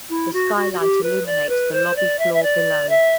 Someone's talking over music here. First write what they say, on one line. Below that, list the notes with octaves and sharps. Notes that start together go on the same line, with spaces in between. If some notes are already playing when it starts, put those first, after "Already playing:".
The skylight illuminates the lobby floor below.
E4
F#4
F#4
F#4
G4
B4
D5
B4
C5
D5
E5
E5
D5
E5